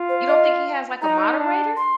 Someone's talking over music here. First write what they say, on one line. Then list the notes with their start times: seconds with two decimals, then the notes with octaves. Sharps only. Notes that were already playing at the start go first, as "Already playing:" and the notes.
You don't think he has, like, a moderator?
Already playing: F4
0.09 C5
0.28 D#5
1.02 D#4 A#5
1.39 D4
1.76 C6